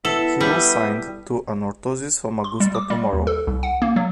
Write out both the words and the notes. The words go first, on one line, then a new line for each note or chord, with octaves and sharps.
He will signed to Anorthosis Famagusta tomorrow.
B3 E4 A4 E5
G3 E5 D#6
C6
G3
D6
G3
D#2
A4
C2
F#5
A#3
F#3